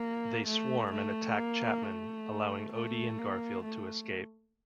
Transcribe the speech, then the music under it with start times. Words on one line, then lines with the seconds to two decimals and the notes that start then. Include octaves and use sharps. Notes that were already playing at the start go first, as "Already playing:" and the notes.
They swarm and attack Chapman, allowing Odie and Garfield to escape.
Already playing: A#3
0.47 A3
0.92 A3
1.38 A#3
1.83 A3
2.73 A3
3.19 A#3
3.64 A3